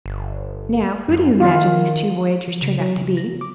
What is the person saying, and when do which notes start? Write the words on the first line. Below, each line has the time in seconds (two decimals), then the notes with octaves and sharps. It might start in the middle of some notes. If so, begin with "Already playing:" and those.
Now, who do you imagine these two voyagers turned out to be?
0.06 G1
1.09 F#2
1.40 D#3 F4
2.48 F3
2.62 C#3
2.80 F#3
2.97 C#3
3.17 A#6
3.41 D6